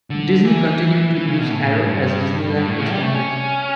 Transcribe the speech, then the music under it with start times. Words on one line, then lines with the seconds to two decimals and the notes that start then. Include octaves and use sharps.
Disney continued to use Arrow as Disneyland expanded.
0.10 D3
0.45 E3
1.15 E3
1.27 C#3
1.39 B2
1.51 A2
1.85 G2
2.56 G2
2.68 A2
2.80 C#3
2.91 G3
3.02 A3
3.14 C#4